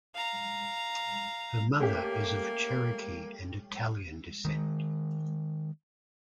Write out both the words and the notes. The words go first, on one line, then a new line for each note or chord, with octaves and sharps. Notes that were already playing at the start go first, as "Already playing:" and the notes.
Her mother is of Cherokee and Italian descent.
F5 A#5
A3 A#3 C#4 G4
D#3 G#3